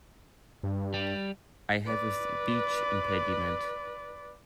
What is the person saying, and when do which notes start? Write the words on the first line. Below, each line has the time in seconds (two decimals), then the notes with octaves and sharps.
I have a speech impediment.
0.63 G2
0.94 G3
1.86 B4 D5